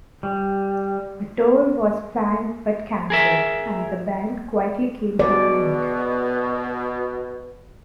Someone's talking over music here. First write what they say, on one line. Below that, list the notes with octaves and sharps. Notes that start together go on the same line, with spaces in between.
A tour was planned but cancelled, and the band quietly came to an end.
G3
G#4 A#4 E5
B2 F#4 G#4 D5